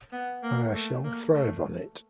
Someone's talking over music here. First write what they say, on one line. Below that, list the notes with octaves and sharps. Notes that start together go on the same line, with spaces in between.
I shall thrive on it.
B3
A#3
A3
A#3
A3